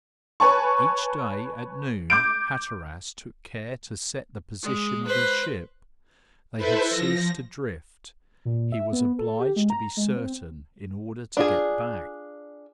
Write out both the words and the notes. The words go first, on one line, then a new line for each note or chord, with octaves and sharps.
Each day at noon Hatteras took care to set the position of his ship; they had ceased to drift; he was obliged to be certain in order to get back.
B4 C#5 G#5 A5 C#6
D6 G6 D7
G#3
B4 C5
E4 A4 B4 C5 E5
F3 A#6
A#2
E5
B3
A4
G4
G#3
A#5
G#3
C4
D4 F4 G#4